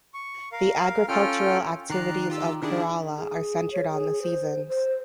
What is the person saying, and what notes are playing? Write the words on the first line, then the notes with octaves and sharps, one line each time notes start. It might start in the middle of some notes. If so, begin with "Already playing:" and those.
The agricultural activities of Kerala are centred on the seasons.
C#6
A#4 F5
C#4 F4 A4 G5 F6
D#3 A#4 D5 A#5 F#6 C7
F4 G4 E6
D#3 D4 E4 G4 G#4 D5
G#4
C#5
G#4
C5
C5